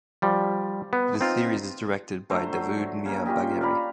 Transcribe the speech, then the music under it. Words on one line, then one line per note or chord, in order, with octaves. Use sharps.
The series is directed by Davood Mir Bagheri.
F3 G3
B3
C4 D#4 F4
D3 A3 C5 A#5
F#3
C#3 A#3
C#4 F4 G4 D#5
D5 F5 A#5 B5